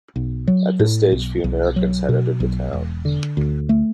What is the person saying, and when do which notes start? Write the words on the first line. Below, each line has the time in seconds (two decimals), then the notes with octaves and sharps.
At this stage, few Americans had entered the town.
0.16 B1
0.47 F#3
0.79 A2
1.12 B1
1.44 B1
1.76 F#3
2.09 B2
2.40 B1
2.73 E1
3.05 D3
3.37 D2
3.69 A3